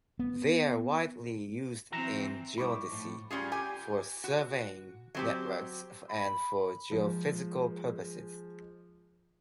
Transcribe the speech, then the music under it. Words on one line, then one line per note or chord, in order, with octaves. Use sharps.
They are widely used in geodesy, for surveying networks and for geophysical purposes.
B3
E3 C4 F#4 E5 A#5
G3 D#4 E4 B5 C#6 D6
A2 F3
G3 C#4 F4 G#4
G4 G#5
F#4
F#3 C4 G4
B5
F3 G#3